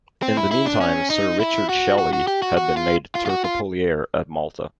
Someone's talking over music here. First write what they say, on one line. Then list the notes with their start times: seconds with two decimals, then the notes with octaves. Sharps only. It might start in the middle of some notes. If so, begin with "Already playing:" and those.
In the meantime Sir Richard Shelley had been made turcopolier at Malta.
0.22 C4
0.37 E4
0.51 E4
0.66 D4
0.81 C#4
1.10 D#4
1.40 E4
1.69 F#4
1.98 F#4
2.13 F#4
2.27 G4
2.42 F#4
2.57 F#4
2.77 F4
3.15 F4
3.26 F4
3.30 F#4
3.44 F4